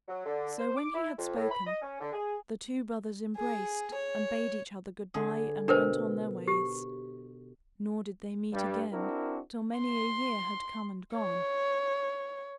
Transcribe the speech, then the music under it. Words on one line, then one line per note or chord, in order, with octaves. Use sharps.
So when he had spoken the two brothers embraced and bade each other good-bye and went on their ways; nor did they meet again till many a year had come and gone.
F#3
D3
C5
D6
E4
F2
A2
B5
D#5
C#4
D3
G#4
G#4
C#5
D3 G#4
B2 D4 A#4 C5
G4
G2 G3
C4 D4 E4 F#4 A#4
C6
C#5